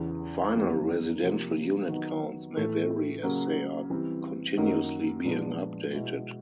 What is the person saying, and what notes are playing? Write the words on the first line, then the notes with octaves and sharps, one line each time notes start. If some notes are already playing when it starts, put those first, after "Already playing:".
Final residential unit counts may vary as they are continuously being updated.
Already playing: E2 C#3 E3
F2 C#3 E3 G3 A#3
C3 F3 A#3
D#3 F#3 B3 D#4
A2 E3 A3
C#3 F#3 A#3
E3 G3 C4
F#2 D#3 F#3 A#3 D#4
A#2 F3 G#3 B3 D4
B2 G#3 B3 E4